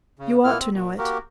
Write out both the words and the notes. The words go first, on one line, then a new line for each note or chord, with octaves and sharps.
You ought to know it.
C#3
A#2 A#3 B3 E4 F6
C4
A#2
A#3 F#4 G4 A#4